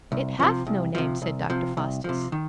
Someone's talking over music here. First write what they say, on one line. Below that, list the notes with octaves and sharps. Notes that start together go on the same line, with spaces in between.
"It hath no name," said Dr. Faustus.
C2
C3 F3
C2
C3 F3
C2
C3 F3
C2
C3 F3
D#3